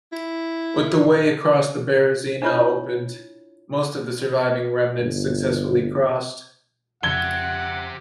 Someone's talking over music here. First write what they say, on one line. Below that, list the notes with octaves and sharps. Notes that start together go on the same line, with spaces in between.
With the way across the Berezina opened, most of the surviving remnants successfully crossed.
E4
D4 E4 F4 C#5
G1
F2 C#3 G4 E5 F#5 G#6 G7